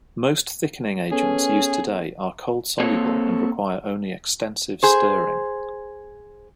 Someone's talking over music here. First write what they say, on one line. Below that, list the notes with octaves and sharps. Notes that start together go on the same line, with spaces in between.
Most thickening agents used today are cold-soluble and require only extensive stirring.
B3 C#4 G#4 A4
A#3 C4 A4 C#5
G#4 C5